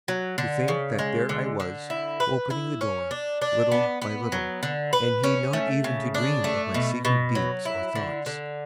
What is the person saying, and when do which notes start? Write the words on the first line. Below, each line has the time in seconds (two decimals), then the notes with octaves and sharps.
To think that there I was, opening the door, little by little, and he not even to dream of my secret deeds or thoughts.
0.08 F#3
0.38 D3
0.68 C#3
0.99 G#3
1.29 D3
1.60 D3
1.90 E4
2.20 B4
2.50 E4
2.81 C#4
3.11 D4
3.42 D4
3.72 B3
4.02 B3
4.32 F#3
4.63 D3
4.93 B4
5.24 C#4
5.53 A3
5.84 C#3
6.14 D4
6.44 A3
6.74 B2
7.05 B2
7.35 F#3
7.65 E4
7.95 D3
8.26 D3